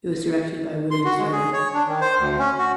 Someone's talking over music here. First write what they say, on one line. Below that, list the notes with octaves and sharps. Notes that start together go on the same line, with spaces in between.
It was directed by William Sterling.
C6
F#4
G#3
G#4
C#5
D4
D#3
C5
D2
C#4
F#4